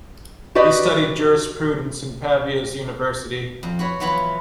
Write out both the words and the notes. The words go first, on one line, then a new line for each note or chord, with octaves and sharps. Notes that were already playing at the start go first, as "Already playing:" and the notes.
He studied jurisprudence in Pavia's university.
F#4 G4 B4 D5 D#5
F2
F#4 B4 C#5
E3 F#3 B3 E4 F4 B4